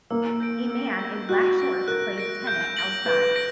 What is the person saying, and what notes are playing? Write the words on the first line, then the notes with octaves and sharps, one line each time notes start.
A man in black shorts plays tennis outside.
A#3 E6
G6 A#6 D7
E6
G6 A#6 D7
F#4 F#6
A#6 D7
A#4 F#6
A#6 D7
G6
A#6 D7 F#7
B4 G6
A#6 D7 F#7